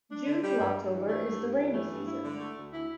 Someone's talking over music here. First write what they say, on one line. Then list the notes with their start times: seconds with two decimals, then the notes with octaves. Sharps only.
June to October is the rainy season.
0.11 D4
0.26 D3
0.43 G3
0.60 G2
0.76 G2
0.93 E3
1.09 A3
1.24 G2
1.41 G2
1.58 E3
1.74 A3
1.91 G2
2.07 E4
2.24 D3
2.40 A3
2.56 D2
2.73 E4